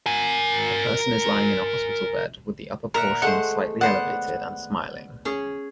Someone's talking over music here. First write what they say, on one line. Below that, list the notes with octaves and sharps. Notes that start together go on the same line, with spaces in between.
A person is lying in a hospital bed with the upper portion slightly elevated and smiling.
A#4 G#5
A#2 A#4 E5 F#5
G#3 A3 C5 F#5
B3 C5 D5 F#5
C#4 G#4